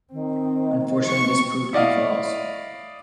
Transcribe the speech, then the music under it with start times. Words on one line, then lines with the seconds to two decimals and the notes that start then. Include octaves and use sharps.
Unfortunately, this proved to be false.
0.12 D#3 C4
1.06 F3 C4 C#6
1.73 E4 D5 D#5 F5